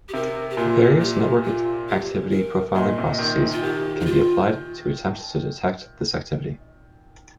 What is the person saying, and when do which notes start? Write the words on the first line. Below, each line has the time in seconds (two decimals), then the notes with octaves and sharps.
Various network activity profiling processes can be applied to attempt to detect this activity.
0.09 G4
0.13 C3 A#4
0.50 G4
0.57 A#2 F4
1.01 G4
1.45 F4
1.89 G4
2.32 A#4
2.75 A#2 D#5
2.98 C3
3.19 D#3
3.52 F4
3.63 D#3 G4
4.00 D#4
4.06 F4